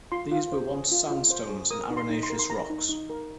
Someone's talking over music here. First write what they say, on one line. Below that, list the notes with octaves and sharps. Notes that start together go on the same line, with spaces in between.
These were once sandstones and arenaceous rocks.
F4 C6
F4
C5
G#4
F4
F4
C5
G#4
A#4 D#6
D#4
C6
D#4
C6
A#4
C6
A#4 A#5
D#4
D#4
A#4